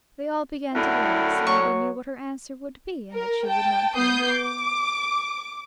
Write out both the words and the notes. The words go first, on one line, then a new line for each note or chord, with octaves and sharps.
They all began to laugh, saying they knew what her answer would be, and that she would not come.
F#2 A2 D3 E4
F#3 C#6
A#4
G5 A5
B3 D#6 G6 C7
D6